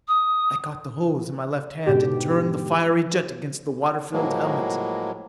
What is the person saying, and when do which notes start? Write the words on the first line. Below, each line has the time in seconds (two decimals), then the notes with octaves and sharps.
I caught the hose in my left hand and turned the fiery jet against the water-filled helmet.
0.08 D#6
1.86 G#2 B2 D3 G4
4.13 A2 F3 F#3 G#3 A#3